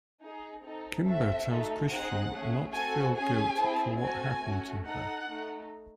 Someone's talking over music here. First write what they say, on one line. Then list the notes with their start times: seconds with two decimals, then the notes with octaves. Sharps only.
Kimber tells Christian not to feel guilt for what happened to her.
0.20 D#4 G#4
0.62 C4 D#4 A4
1.05 C4 F#4 A4 E5
1.47 A3 D#4 F#4 A4
1.89 C4 D#4 G#4 F#5
2.32 A3 C#4 G#4
2.74 C4 F#4 A4 G#5
3.15 C#4 G#4 G#5
3.58 C4 E4 G#4
4.01 C4 F#4 A4 G#5
4.43 A3 C#4 F#4
4.85 D#4 A4 F#5
5.28 A3 D#4 A4